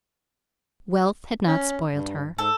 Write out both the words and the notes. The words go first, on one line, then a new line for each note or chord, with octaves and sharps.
Wealth had not spoiled her.
C#4
G2
G#2 A4